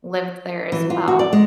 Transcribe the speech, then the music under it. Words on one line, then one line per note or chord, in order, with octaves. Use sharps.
lived there as well.
E3
F4
F#4
D5
G#3